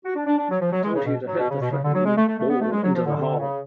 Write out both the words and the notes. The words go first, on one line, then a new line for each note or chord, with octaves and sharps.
I told you to hit the flippin' ball into the hole!
F#4
D4
D4
D4
F#3
F3
F#3
G#3
C#3
B2
F#3
B2
C#3
B2
C#3
D3
F#3
G#3
A3
A3
A3
B3
A3
G#3
F#3
F3
D3
D3
C#3